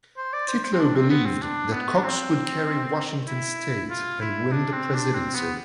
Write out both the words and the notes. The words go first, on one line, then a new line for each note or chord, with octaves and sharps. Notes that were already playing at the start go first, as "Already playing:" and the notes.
Titlow believed that Cox would carry Washington state and win the presidency.
C5
D5
C5
C5
C4
D4
C4
B3
C4
D4
B3
D4
C4
E4
F4
E4
D4
C4
D4
C4
B3